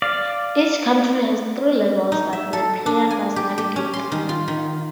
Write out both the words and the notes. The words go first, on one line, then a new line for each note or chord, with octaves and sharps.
Each country has three levels that the player must navigate through.
D5 F5
D#4
E5
A4
D4
G#5
G4
G4
C#4
C6
D#3
F4
D#3